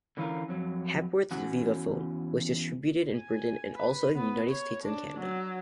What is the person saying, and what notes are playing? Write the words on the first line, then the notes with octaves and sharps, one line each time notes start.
Hepworth's vivaphone was distributed in Britain and also in the United States and Canada.
D3 E3 C#4 E4 F4 A#4
F2 F#3
E2 C#4 F#4 F#5 G#5
G#5
B4
B3
C#5
D4
F#3